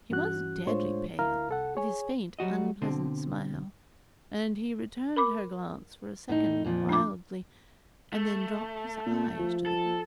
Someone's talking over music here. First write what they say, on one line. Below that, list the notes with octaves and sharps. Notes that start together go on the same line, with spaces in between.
He was deadly pale, with his faint unpleasant smile; and he returned her glance for a second wildly, and then dropped his eyes to the ground.
G2 E3 C#4 F#4 F#6
A2 G#3 D4 F4 C5 C#5
D2 E4 A#4 F5 A#5 F6
C2 A4 F#5
G#4 C#5 G#5
F#3 G3 F#4 D#5
B2 D3 C4
A#4 B5 D6
A2 D#4
F2 A#2 F3
D4 D6
A3
A#2
F3
A4